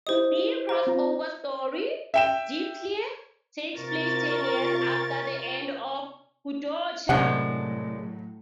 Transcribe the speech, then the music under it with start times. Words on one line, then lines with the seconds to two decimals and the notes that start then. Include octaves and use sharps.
The crossover story, "Deep Clear", takes place ten years after the end of "Kodocha".
0.07 E4 G4 C5 D#5 D#6
0.69 C5 A#5 D6
0.87 C4 F4 A#5
2.14 E5 G5 E7
3.75 C3 F4 A#4 C#6 A6
7.09 F#2 A2 C3 F#3 G#3 D4 F#5